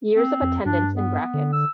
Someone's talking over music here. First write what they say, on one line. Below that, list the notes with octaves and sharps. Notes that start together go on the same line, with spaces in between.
Years of attendance in brackets.
C4
F2
G2 D4
B3
D3
E6